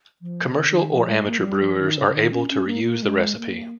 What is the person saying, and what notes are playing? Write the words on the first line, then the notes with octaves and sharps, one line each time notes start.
Commercial or amateur brewers are able to reuse the recipe.
F3
C#3
D#3
F3
G#3
A#3
F3
G3
F3
D#3
C#3
C#3
D#3
C#4
C#4
A#3
A#3
G#3
A#3